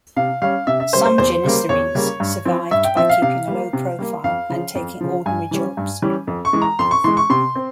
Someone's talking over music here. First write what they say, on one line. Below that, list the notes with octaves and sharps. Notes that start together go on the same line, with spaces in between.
Some Janissaries survived by keeping a low profile and taking ordinary jobs.
C3 F5
G3 C#4 F5
C3 E5
E5
G3 C#4 C5
C5
E2 C5
C#3 G3 A#3
E2 C#5
C#3 G3 A#3
G2
F3 C4
G2 E5
G5
F3 C4 E5
F5
C3 F5
G3 A#3
C3
G3 A#3
F2 F5
C#3 F3
F2
C#3 F3
G2 G#5
E3 G3 C#4
G2
E3 G3 C#4
F2
C#6
E3 G#3
A#5
F2 C6
C#6
E3 G#3 C6
C#6
C3 C6
C4